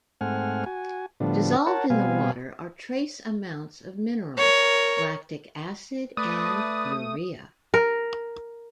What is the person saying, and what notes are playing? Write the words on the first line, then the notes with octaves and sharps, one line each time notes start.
Dissolved in the water are trace amounts of minerals, lactic acid, and urea.
G#2 A3 C4 F#5 G#5 F6
F#4 G#5
A2 D3 F3 G3 B3 D4
A#4 C#5 F#5 A5
B2 G3 B3 C4 F5 G#5
A#4 C#5
A3 B4 D5 D#6
A#4